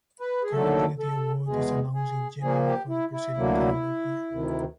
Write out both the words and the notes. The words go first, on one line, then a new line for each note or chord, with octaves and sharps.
Currently the award is announced in January for the preceding calendar year.
B4
G#4
D#2 D3 F#3 A3 A4
A4
E2 B2 G#3 G#4
G#4
A#2 F3 A#3 G#4
G4
E4
E4
D2 D3 F#3 A#3
D2 C3 D#3